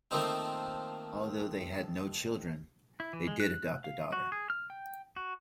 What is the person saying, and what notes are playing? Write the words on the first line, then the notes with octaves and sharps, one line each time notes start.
Although they had no children, they did adopt a daughter.
D#3 F3 A3 A#3 C4 D#4
E4
E3
G#3
F#6
F5
F#4
G#4
F6
G5
F#4